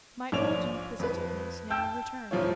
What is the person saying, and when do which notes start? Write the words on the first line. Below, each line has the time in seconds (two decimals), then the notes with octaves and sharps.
My old inquisitiveness now returned.
0.32 A#1 F3 C#5 D5 F7
0.99 F2 B4
1.70 G5 A5 E6 G6
2.31 E1 A2 F3 F4 C#5